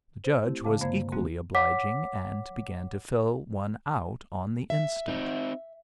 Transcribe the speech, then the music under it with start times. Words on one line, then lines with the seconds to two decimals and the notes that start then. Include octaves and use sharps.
The judge was equally obliging, and began to fill one out on the instant.
0.24 C5
0.43 A3 C4 E4 G4
0.64 C#3 G#3 F5 A5 D6
0.81 G2 D3 A#3 C5 F5 G#6
1.12 F3 G3 A3 A#3 C4 F#4
1.55 C#5 F#5 D6 B6
4.70 E5
5.08 C4 D#4